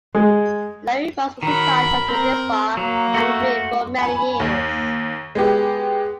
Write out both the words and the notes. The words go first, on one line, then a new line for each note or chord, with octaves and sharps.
Laurie Ross was in charge of the Ritz Bar and Grill for many years.
G#3
D#3 F#3 A#4 B5
C4 A#4
F#3 A#3
A3 F#4
G#5 B5
D#2
G#3 B3 G4